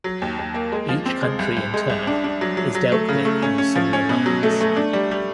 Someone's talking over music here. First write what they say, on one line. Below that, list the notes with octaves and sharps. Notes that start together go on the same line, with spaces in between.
Each country in turn is dealt with on similar lines.
F#3
D#2
D#2
A#3
G#3
F3
C4
G#3
C2
C2
G#3
C2
D4
D4
F#3
F#3
F#3
A3
C#3
A3
C#4
C#4
F3
C#4
B2
F#3
A3
A3
D4
G3
G3